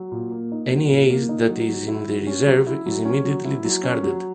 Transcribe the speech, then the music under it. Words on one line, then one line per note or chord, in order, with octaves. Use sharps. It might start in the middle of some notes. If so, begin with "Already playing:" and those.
Any ace that is in the reserve is immediately discarded.
Already playing: F#3
A#2
A#3
D#4
F#3
A#2
A#3
D#4
F#3
F#3
E4
F#3
C#4
F#3
E4
F#3
C#4
F#3
E4
F#3
C#4
F#3